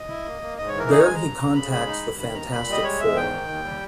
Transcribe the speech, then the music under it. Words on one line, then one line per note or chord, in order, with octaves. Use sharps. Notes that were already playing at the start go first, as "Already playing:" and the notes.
There he contacts the Fantastic Four.
Already playing: D#5
E4
A#3
A#3
G#2 D#5
C#5
E3
A#4
D#4 G#4
C#5
G#3 G#5
A#5
G2
G2
C#3 B5
G#3 B5
D#4
G2
D#3 B5
D#2 A#5
A#2 B5
G3 D#5
G#3 C#5
E2 E5
G#2 G5
D#3
D#2
G3